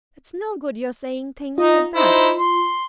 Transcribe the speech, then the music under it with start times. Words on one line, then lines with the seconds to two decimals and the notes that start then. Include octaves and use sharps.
It's no good your saying things like that.
1.58 D#4 F4 D#5
1.95 D#4 E4 C5
2.38 C6